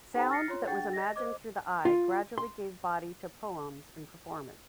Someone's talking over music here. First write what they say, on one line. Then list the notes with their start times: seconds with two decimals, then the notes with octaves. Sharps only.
Sound that was imagined through the eye gradually gave body to poems in performance.
0.14 D#4 G4 A4 C5 G5 A#5
0.30 F6 A6 A#6 C7 C#7
0.48 F4 C#5 C6
0.67 D4 G#4 F#5 G5 A6
0.93 D#5 A#6
1.16 C5 D#5 D6
1.85 F4
2.38 C6